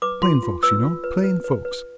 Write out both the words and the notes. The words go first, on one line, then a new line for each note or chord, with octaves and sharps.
Plain folks, you know--plain folks.
B4 D6
F4 C6
F4
B4 E6
F4
B4
B4
B4
B4